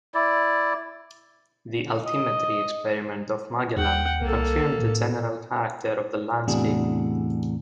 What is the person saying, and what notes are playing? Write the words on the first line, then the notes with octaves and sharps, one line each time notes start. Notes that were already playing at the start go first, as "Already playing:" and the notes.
The altimetry experiment of "Magellan" confirmed the general character of the landscape.
E4 D5
D#5
D#2 F#5 G5
C2 A#3 A4
A2
E2 A2 C3 D4 F#4 G#4